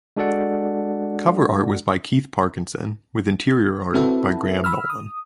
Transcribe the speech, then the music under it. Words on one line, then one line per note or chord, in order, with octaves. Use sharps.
Cover art was by Keith Parkinson, with interior art by Graham Nolan.
G#3 D4 F#4 A4 D5 F#5
C4 E4 F#4 A4 B4 E5
B5 E6 F6
D#6